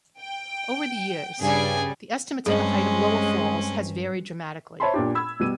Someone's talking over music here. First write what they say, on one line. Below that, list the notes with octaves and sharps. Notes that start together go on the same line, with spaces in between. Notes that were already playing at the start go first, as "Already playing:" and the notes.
Over the years the estimates of the height of Lower Falls has varied dramatically.
G5
G2 C#3 G3 G#4 G#5
G2 G#3 C4 C#4 G#4 D#5
C5 C#5 E5 A5 B5 C6
A#2 D4 G4
B5 E6 G#6
B2 G3 D#7